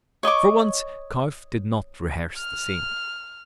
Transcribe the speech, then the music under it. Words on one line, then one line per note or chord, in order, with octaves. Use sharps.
For once Kauf did not rehearse the scene.
C#5 D#5 C#6 D6
F6